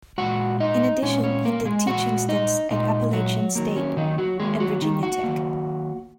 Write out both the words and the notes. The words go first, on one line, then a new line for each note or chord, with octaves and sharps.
In addition, he did teaching stints at Appalachian State and Virginia Tech.
A#2 G#3 F#4 F#5
D#4 D#5
A#2 G#3 C#4 C#5
C#4 C#5
A#3 A#4
G#3 G#4
A#2 G#3 F#4 F#5
D#4 D#5
A#2 G#3 D#4 D#5
F#3 F#4
D#3 F#3 A#3
C#4
D#3 D#4
F#3 F#4
D#3 F#3 G#3 A#3 G#4
F#3 F#4
D#3 D#4
F#4 F#5
D#3 F#3 A#3